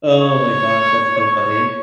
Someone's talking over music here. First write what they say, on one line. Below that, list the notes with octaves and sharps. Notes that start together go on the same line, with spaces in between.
Oh my gosh, that's so funny.
C#5
C#5